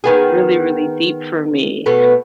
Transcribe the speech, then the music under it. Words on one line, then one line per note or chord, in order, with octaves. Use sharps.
really, really deep for me.
D#3 B3 G#4
B2 A3 B3